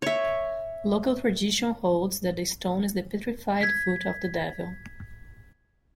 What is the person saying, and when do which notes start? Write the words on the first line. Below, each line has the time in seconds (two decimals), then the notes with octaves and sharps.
Local tradition holds that the stone is the petrified foot of the devil.
0.02 C#5 E5
3.61 G#6 B6